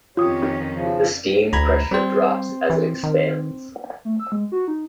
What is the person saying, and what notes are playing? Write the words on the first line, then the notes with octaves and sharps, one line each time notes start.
The steam pressure drops as it expands.
F2 D#3 C#4 F4 G4 C#5 D#6
C#3 F3
D2 A#5 B5 G#6
G3 C4 C5
E3
D#3
A3
E6
G#3
F#4
D#4